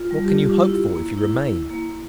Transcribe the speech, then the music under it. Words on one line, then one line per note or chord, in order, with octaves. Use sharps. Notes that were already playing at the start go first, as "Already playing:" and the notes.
What can you hope for if you remain?
Already playing: F4
G3
G4
F4
E4
A#3
E4
E4
A#3